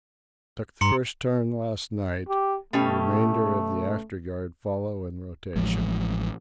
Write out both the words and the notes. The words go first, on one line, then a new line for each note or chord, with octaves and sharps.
I took the first turn last night; the remainder of the afterguard follow in rotation.
G2 A#5 C6 C#7
G4
B2 A3 C#4 G4
A1 F3 G#3